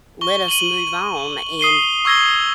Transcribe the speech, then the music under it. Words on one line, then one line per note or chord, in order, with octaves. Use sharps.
let us move on, and
C#6 G7
D#7 F#7
D#6 C7 D#7 G7
C#6 E6 G#6 A#6 G7